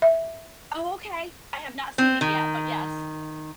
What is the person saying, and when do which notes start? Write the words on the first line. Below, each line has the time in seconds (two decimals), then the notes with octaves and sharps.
Oh, okay. I have not seen it yet, but yes.
0.02 E5
1.98 C4
2.21 D#3